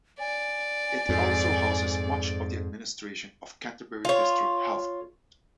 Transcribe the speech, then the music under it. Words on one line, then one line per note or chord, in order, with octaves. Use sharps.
It also houses much of the administration of Canterbury District Health Board.
D5 G#5
F2 G#2
F4 C#5